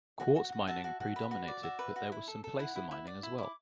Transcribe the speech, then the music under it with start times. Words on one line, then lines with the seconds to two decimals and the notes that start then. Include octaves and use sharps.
Quartz mining predominated but there was some placer mining as well.
0.20 F#4
0.36 F#4
0.44 F#5
0.52 F#4
0.68 F#4 E5 A5
0.84 F#4
1.00 F#4
1.16 B4
1.31 F#4
1.48 D5
1.63 F#4 E5
1.79 B4
1.96 F#4
2.12 E4
2.28 A4
2.44 A4
2.59 E4 F#5
2.76 E4
2.91 E4
3.07 D5
3.23 E4
3.38 E4 D6